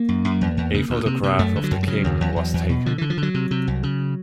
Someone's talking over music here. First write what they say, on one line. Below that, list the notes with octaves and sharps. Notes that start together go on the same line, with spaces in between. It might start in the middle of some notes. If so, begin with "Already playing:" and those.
A photograph of the king was taken.
Already playing: A#3
F#2
F#2
E2
E2
C#3
D2
C3
C3
F#2 A3
D3
F#3
F#2
G3
C#3 F#3
D#2
D#2
E2
E2
B2
D3 F3
D3 E3
F3
D3
F#3
C3
C3
C2
C#3